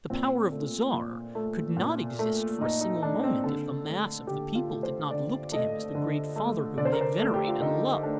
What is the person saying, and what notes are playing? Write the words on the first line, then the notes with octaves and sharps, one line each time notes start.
The power of the Czar could not exist for a single moment if the mass of the people did not look to him as the great father whom they venerate and love.
A#2 C4
A3
A#2
A3
A#2
A3
A#2 D#4
D#4
A3 D4
C4
D3 A4
A3
D3 G4
F4
A3
C5
D3 D5
A3 D#5
D3
A3
D3 D5
C5
A#4
C5
A3
G4
F4
D3 D#4
A3 D4